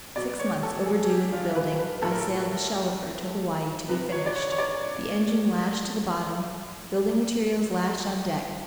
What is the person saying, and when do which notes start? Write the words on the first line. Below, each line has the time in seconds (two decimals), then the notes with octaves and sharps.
Six months overdue in the building, I sailed the shell of her to Hawaii to be finished, the engine lashed to the bottom, building materials lashed on deck.
0.16 B2 F#3 D5
0.39 C#5
0.63 A4
0.86 G#4
1.10 G4
1.32 F4
1.55 B4
1.79 B4
2.02 A2 F3 A4
2.11 A#4
2.21 A4
3.88 C3 F3 B4
4.12 C#5
4.26 D5
4.36 C#5
4.52 C#5
4.58 D5